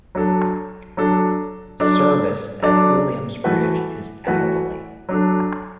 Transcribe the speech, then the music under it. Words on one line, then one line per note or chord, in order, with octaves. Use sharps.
Service at Williams Bridge is hourly.
F#3 D4 A4
F#3 D4 A4
F#3 D4 A4 D5
F#3 D4 A4 D5
E3 A3 F#4 B4
E3 A3 F#4 B4
F#3 D4 A4